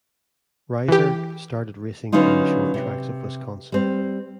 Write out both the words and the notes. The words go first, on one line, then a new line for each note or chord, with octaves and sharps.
Reiser started racing on the short tracks of Wisconsin.
E3 G4
D3 F#3 B3 C#4 D#4 F4
C3
G3 C4